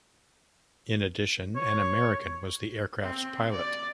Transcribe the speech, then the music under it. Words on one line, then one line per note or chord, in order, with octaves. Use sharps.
In addition, an American was the aircraft's pilot.
C#5
C4
D5